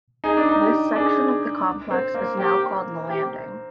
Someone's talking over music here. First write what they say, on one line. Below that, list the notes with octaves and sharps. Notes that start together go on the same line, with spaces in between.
This section of the complex is now called The Landing.
D#4 G#4
D4
D#4
G4
D4 G#4
C4
A#3
G4
G4